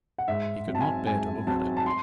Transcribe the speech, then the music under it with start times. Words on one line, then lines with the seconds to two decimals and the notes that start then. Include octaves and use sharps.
He could not bear to look at it.
0.18 F#5
0.28 G#2 E5
0.68 F#3 C4
0.75 A5
0.81 G#5
1.07 G#2 G#5
1.47 F#3 C4 A5
1.77 A5
1.86 C6